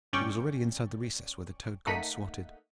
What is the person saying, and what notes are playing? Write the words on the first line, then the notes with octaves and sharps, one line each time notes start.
She was already inside the recess where the Toad God squatted.
G1 C#4 D5 G5 C#6
A3 A#3 D#4 F#5 B6 D#7